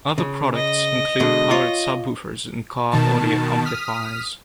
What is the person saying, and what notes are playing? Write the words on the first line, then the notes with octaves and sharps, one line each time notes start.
Other products include powered subwoofers and car audio amplifiers.
C#3
D#5
B2 D3 G#3
F4 C#5
B2 D#3 A5
D#6 F6 B6